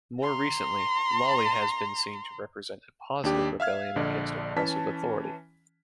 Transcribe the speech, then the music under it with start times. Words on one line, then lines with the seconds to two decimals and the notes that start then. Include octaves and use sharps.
More recently, Lalli has been seen to represent a positive rebellion against oppressive authority.
0.21 A#5 C6
3.24 D#2 D4 G4
3.60 E5 F5 F6 G#6
3.96 A#1 D3 D5 D#5
4.56 E3 C#4 A5 B6